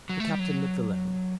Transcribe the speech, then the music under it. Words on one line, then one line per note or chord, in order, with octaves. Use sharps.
The Captain lived alone.
F#3
A3
G3
F#3